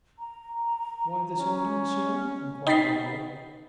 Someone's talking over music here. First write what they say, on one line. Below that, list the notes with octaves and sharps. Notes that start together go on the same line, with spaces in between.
"Why this order, monsieur?" inquired Raoul.
A#5
C#4
D#4 G5 B5 A6 B6 C7